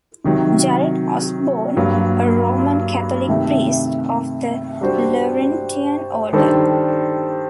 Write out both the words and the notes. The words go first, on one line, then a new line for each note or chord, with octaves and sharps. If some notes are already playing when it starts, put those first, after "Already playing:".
Jared Osborne, a Roman Catholic priest of the Laurentian order.
C3 D#3 F#3
G2 F#3 A#3
C3 D#3 A3
G3 D4 F#4 C5
D#3 G3 D4 A4 C5